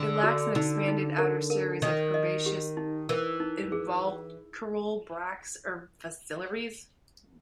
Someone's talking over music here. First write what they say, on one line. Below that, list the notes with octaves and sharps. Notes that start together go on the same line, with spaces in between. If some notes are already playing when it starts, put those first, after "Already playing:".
It lacks an expanded outer series of herbaceous involucral bracts or phyllaries.
Already playing: D3
F#4
D3 D#4
D#4
A#4
A#4
D#3 D#5
D#5
G4
D#4
E3 A#4
D#4
G#4